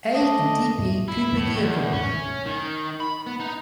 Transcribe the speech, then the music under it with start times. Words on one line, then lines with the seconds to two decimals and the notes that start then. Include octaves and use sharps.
A. and D. P. Cooper Gear Company.
0.15 A3 D4 D#5
1.08 E4
1.37 A2
1.55 E2
1.93 C#4
2.47 D#3
3.00 B5
3.26 B3
3.40 D#4